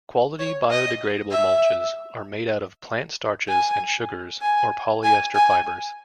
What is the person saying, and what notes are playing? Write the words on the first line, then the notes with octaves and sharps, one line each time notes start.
Quality biodegradable mulches are made out of plant starches and sugars or polyester fibres.
C#5
D#5
E5
G#5
G#5
G#5
G#5